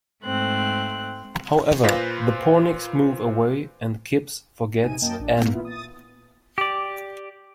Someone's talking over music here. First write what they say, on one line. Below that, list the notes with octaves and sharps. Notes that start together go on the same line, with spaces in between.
However, the Pornicks move away and Kipps forgets Ann.
G#2 A3 C4 F#6
A#2 F4 B4 C5 A#6 B6
A#1 C3 D#4 G#5 D#7
F#2 A#3 D#5 G5 A5
A1 D4
A#2 A#3 B3
E3 B3 E4 F4
D#6 A6
G4 D5